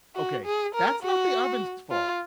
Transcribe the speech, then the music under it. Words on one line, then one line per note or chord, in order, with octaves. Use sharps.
okay, that's not the oven's fault.
F#4
G#4
A#4
F#4
F4